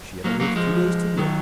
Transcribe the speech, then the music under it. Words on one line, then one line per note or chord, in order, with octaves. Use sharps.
She had only a few days to live.
F#3 A#3
F#3 A#3
F3 G#3
D#3 F#3